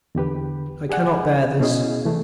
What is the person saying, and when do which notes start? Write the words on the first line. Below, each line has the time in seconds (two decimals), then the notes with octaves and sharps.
I cannot bear this.
0.15 E2 D3 G4 B4
0.89 G4 G#4 D5 F#5 G#5
1.60 B2 C#4 E4 G#4 D#5
2.05 C3 E3 A3